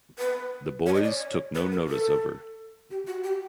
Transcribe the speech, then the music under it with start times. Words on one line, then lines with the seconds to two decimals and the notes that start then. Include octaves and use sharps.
The boys took no notice of her.
0.19 B4
0.86 C#5
0.94 D#5
1.03 D5
1.12 C#5
1.55 B4
1.72 A#4
1.88 A4
2.91 G4
3.07 F#4
3.24 G4